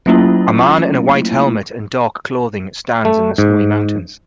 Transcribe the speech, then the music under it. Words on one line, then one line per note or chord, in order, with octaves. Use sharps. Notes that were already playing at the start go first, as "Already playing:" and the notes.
A man in a white helmet and dark clothing stands in the snowy mountains.
F#3 A3 A#3 C#4 E4 F4
A3
G#2